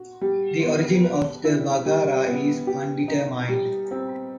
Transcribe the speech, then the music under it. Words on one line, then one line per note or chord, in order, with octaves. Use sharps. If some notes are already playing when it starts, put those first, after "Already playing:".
The origin of the Baggara is undetermined.
Already playing: F#4
G3
B3
B4
E4
G3
B3
G4
D#4
G3
C4